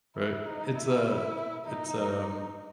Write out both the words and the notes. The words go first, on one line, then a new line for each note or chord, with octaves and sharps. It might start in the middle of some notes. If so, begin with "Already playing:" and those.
Right, it's a it's, um
E4
D#4
E4
D#4